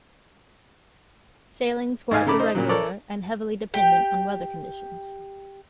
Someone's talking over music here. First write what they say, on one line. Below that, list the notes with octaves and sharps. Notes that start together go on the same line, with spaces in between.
Sailings were irregular and heavily dependent on weather conditions.
G#2 G#3 F5 G#5
C#3 A3 A#5 B5 D6
D#4 C5
A#2 C#3 F#3
A4 A#4 C#5 D5
G4 G5